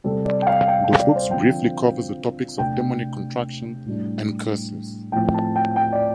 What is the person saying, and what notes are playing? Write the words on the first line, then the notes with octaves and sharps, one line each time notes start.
The books briefly cover the topics of demonic contraction and curses.
C3 G3 C4 A4
D5
G5
F5
G5
G5
D5
C5
D3 F3 C4 G5
C3 A3 D4 G5
A2 G3 D4
A2 F3 C4 G5
A5
G5
G5
D5